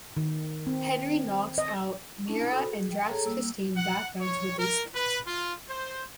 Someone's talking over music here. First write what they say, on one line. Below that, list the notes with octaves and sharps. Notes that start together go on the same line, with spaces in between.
Henry knocks out Meera and drags Christine back down to the basement.
D#3
C4
D#5
C#4 D4 E4 A5
F#4 A4 C5 B5 D#6 E6
G#4
G5
G#4 A4 C#5 A5 A#5
G3 A#3 E6
F#5
C#5
A#4
B4
F4
C5